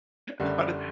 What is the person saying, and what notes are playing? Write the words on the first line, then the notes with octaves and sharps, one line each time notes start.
How did
F#1 F#2 D3 G3